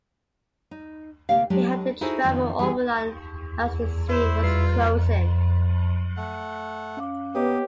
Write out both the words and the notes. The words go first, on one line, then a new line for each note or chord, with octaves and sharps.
He had to travel overland as the sea was frozen.
D#4
D2 C3 A#3 G4 F5
F#3 G#3 D4 G4
D#4 E4 F#4 G#4 A4 C5
F2 D#3 F3 B3 D4
E3 G3 B3 G#4
E4 C5
G3 F4 B4 C7
A3 F#5
C#4 F5 D6
A#3 B3 G4 B4 C#5 D#5 D#6